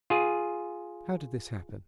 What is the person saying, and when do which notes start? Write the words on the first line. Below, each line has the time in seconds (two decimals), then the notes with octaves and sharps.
How did this happen?
0.10 F4 G#4